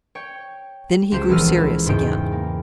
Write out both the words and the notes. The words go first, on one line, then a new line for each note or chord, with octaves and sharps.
Then he grew serious again.
C#5 G5
C#2 G4 C5 E7
A#1 E3 A4 E6 F6 D#7
E4 A4
E2 G#2 C#3 G5 D7
A#3